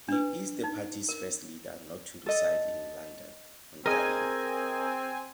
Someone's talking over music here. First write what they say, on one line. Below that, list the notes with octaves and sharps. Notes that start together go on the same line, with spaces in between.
He is the party's first leader not to reside in London, Ontario.
D4 B4
D#4
A#4
A4 D#5
C4 G#4 A#4 D#5 G#5